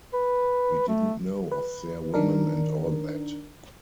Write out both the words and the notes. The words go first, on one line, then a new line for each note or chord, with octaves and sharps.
We didn’t know of their women and all that!
B4
A3
B4
D#3 D4 A#4